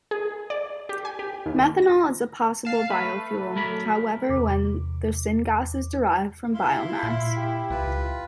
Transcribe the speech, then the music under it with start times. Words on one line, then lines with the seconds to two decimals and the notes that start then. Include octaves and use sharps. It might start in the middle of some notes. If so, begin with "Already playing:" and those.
Methanol is a possible biofuel, however when the syngas is derived from biomass.
0.11 G#4
0.50 D5
0.89 G4
1.05 G#5
1.19 G4
1.46 D#2
1.82 A#6
2.65 F5 A5
2.90 A3 B4
3.56 F#3 A#4 B5
4.29 E2 C3 D6
6.54 E4 F5 C6
7.03 A#2
7.37 G4
7.70 C#2 F4 B4